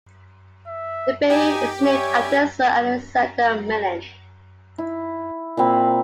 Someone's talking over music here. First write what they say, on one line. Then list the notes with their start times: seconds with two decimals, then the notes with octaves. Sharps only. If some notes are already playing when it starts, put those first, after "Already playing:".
The bay is named after Sir Alexander Milne.
0.67 E5
1.30 D#4 G4 G#5
1.84 G3 C#5 E5 G#5
4.78 E4
5.57 A#2 A#3 C4 B5